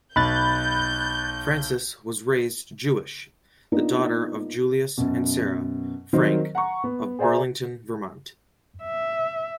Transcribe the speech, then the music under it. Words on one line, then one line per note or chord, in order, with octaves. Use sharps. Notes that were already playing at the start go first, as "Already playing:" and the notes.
Frances was raised Jewish, the daughter of Julius and Sarah Frank of Burlington, Vermont.
B1 B5 F#6 G6 A6
A#3 B3 D4 D#4 F4
F#2 B2
D#3 F#3 C4 A#4 C5 D#5
F#5 A#5 C#6
B3
G#4 C5 D5 E5 G#5 A#5
E5